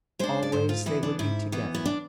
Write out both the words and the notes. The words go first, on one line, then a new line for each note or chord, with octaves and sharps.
Always they would be together.
G#3 D4 C5
D5
G#2 C5
F4
E3 B3 E4
D4
G#2 E4
E3 B3
E4
D4